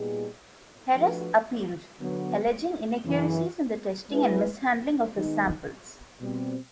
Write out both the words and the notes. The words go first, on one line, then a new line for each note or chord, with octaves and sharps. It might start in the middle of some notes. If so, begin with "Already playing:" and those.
Heras appealed, alleging inaccuracies in the testing and mishandling of his samples.
Already playing: A#2 G3 B3 D#4 G#4
F3 A3 D4 F#4 B4
D3 F#3 B3
F#2 C#3 E3
G#3 C4 E4 G#4 B4
D#3 G#3 B3 D#4
B2 G3 C4